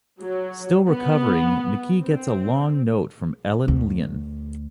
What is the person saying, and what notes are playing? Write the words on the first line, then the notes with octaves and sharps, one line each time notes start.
Still recovering, McKee gets a long note from Ellen Leon.
F#3
B3
C4
D2